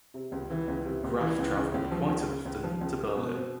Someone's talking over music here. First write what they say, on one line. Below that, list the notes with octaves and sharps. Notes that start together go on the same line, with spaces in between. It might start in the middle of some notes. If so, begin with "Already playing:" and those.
Graff travelled quite often to Berlin.
C3
C#2
E3
C#2
C3
C#2
E3
C#2
C#3
C#2
F3
C#2
C#3
C#2
F3
C#2
G#3
B2
C4